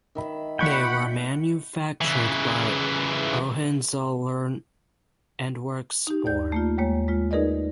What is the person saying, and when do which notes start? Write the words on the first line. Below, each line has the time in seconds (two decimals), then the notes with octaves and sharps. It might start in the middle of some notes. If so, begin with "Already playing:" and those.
They were manufactured by Hohenzollern and Werkspoor.
0.15 D#3 E5 B5
0.59 A#2 F#5 G5 B5 C#6
2.01 C#3 E3
6.07 D#4 G4
6.25 D#2 D5 G6
6.52 A3 A#3 F4
6.78 D#2 G#3 A#3 C#5
7.08 G#3 F4
7.31 D#4 G#4 A#4 B4 D5 D#5